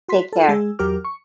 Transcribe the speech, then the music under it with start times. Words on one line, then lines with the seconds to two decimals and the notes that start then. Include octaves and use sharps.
Take care.
0.09 F#4 C6 B6
0.33 F4 A4
0.48 G#3 G#4 E6
0.79 E2 F#3 G4 A#4 D6 F6
1.05 C#6